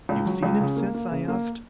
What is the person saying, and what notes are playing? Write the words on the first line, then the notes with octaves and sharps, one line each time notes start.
"You've seen him since?" I asked.
C#2
F#3
C#2
C#3
A#3
A#3
C#3
A#3